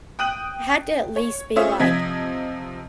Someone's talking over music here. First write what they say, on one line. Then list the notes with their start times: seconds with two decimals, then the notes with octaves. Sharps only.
had to at least be, like,
0.19 G5 D#6 F#6 D#7 F#7
1.16 C#5
1.56 A3 C#4 F4 C5 E5 D#6
1.79 C3 F3 D#5 G#6 B6